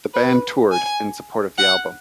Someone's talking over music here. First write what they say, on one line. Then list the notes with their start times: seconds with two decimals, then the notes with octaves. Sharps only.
The band toured in support of the album.
0.14 B4
0.72 G#5
1.58 F#5